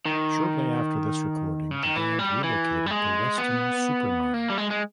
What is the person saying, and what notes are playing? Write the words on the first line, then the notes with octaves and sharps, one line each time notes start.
Shortly after this recording the band relocated to Weston-super-Mare.
D#3
C#3
D#3
E3
G3
E3
G3
G#3
B3
A#3
G3
G#3
G#3